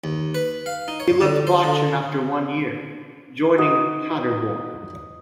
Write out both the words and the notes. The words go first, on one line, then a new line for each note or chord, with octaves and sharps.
He left Bochum after one year, joining Paderborn.
D#2
B4
F5
D#4
C#5
D3
C5
D3
D#4 F#4 D#5